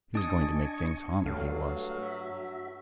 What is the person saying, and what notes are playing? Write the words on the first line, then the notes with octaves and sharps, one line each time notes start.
He was going to make things hum, he was.
D4 D#5 G#5 C#6 D#6
G2 F#3 A3 F5
F#4 E5